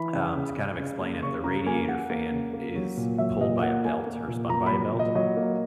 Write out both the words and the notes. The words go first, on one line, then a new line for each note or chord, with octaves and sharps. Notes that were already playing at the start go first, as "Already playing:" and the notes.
um, to kind of explain it, the radiator fan is pulled by a belt or spun by a belt.
Already playing: E3 B5
C#3
C#3
C#3
C#3
A#3
C#3 C#6
C#3 A#5
A#3 G#5
A#3 F#5
A#3
C#3
A#3
F#3
A#2
F#3 E5
A#2 D#5
A#3 F#5
A#3 G#5
A#3
A#2
A#2 A#5
B5
F#3
A#2
D#5
F#3 D#5
A#3